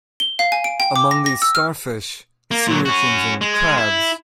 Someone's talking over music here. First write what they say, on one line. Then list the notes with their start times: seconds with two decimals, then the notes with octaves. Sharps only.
Among these starfish, sea urchins and crabs.
0.20 G7
0.39 F5
0.52 G#5
0.64 D7
0.80 G5
0.96 D6
1.11 A#6
1.26 A#6
1.42 E6
1.55 F6
2.51 A#3
2.67 A#2 F#3
2.85 C#4 F#4
3.41 G#3
3.78 E4